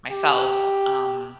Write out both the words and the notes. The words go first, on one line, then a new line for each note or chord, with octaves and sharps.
myself, um,
G4